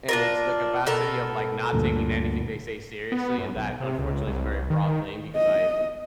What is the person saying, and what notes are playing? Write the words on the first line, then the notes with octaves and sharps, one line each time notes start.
And it's the capacity of, like, not taking anything they say seriously, and that unfortunately is a very broad thing because I
D4 F4 A#4
B2 A4 A#4
D2 G2 A#2
B3
F#2
B1
C3
C#2
C2
D#3
D#5